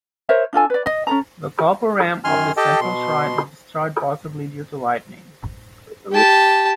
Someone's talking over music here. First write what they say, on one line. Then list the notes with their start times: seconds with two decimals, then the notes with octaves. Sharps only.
The "gopuram" of the central shrine is destroyed possibly due to lightning.
0.29 A#4 C5 C#5 E5
0.53 D4 F4 A4 G#5
0.70 B4 D5
0.86 D#5
1.07 C#4 A4 A#5
2.24 F#2 D#3 G#5 C6 F6
2.57 G4 A4 D#5 G5 A5
2.81 B2 C6
6.13 G4 A5